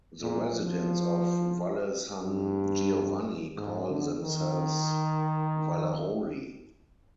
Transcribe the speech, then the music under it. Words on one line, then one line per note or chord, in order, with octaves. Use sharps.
The residents of Valle San Giovanni call themselves "Vallaroli".
A#2
F3
G2
G#2
D3
D#3